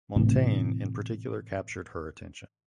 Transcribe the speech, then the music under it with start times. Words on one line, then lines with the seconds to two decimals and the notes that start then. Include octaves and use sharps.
Montaigne in particular captured her attention.
0.16 A2 C3 E3